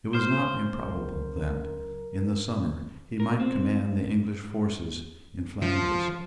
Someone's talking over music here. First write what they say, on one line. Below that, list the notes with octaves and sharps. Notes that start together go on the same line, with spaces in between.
It was not improbable that, in the summer, he might command the English forces in Flanders.
C5 C6 F6
C#2 C#3 F#3 A#4
A#4
C4
F3